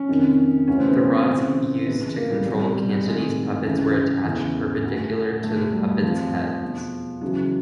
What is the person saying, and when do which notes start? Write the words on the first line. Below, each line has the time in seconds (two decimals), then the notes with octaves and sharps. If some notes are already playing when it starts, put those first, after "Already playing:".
The rods used to control Cantonese puppets were attached perpendicular to the puppets' heads.
Already playing: C#4
0.09 F2 C3 D#3
0.68 D2 C#3 E3 C#4
0.78 C4
0.89 B3
0.99 C4
1.28 C#2 C#3 E3
1.86 C#2 C3 E3 B3
2.02 B3
2.16 A#3
2.31 G3
2.46 C2 B2 G3
2.76 G3
3.05 D2 C3 D#3 G#3
3.65 C#2 C#3 E3
4.24 E2 C#3 E3
4.84 D2 D3
5.43 E2 B2 A3
5.73 G3
6.03 F2 D3 F3
6.63 E2 B2
7.21 C#2 C#3 E3 F#3